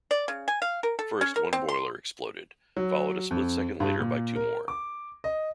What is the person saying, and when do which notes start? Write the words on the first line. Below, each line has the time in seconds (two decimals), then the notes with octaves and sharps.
First one boiler exploded, followed a split second later by two more.
0.11 D5
0.28 C#3
0.48 G#5
0.62 F5
0.83 A#4
0.99 A4
1.21 C#4
1.36 A#4
1.53 C4
1.69 C6
2.76 F#3
3.31 F2
3.80 G2
4.00 A#2
4.36 A#4
4.68 D6
5.24 D#5